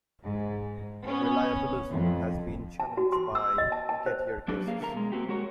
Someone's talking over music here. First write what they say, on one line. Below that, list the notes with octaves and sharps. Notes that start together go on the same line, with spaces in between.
Reliabilism has been challenged by Gettier cases.
G#2
B3 C#4
F2
A5
F#4
C6
E6
D#5
A5
A5
C5
F#3 D4 G4 B4 D5
A#3 G#4 F5
D3 A3 A#4 G5 A#5
B2 G#3
A#3 C4 F#4 G4
G#3 F#4 A#4 C#5